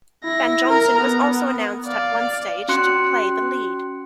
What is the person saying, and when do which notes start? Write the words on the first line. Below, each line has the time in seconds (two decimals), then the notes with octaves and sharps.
Van Johnson was also announced at one stage to play the lead.
0.24 E4 A#6
0.68 A#4 A#5
1.01 B3
1.86 D5 F5
2.68 C#4 F#4 C6 F#6 C#7